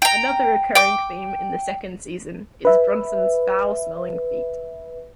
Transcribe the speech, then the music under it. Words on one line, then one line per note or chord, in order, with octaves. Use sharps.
Another recurring theme in the second season is Bronson's foul-smelling feet.
G5 A#5
G5 D6
B4 E5